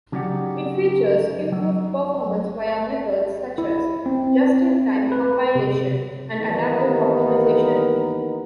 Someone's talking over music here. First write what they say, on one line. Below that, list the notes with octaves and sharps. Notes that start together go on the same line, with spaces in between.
It features improved performance via methods such as just-in-time compilation and adaptive optimization.
C#3 F#3 D#4 G4 D5 F#5
F#3
E4
C4
B4
C3
D#2 E3 B3 D#4 A#4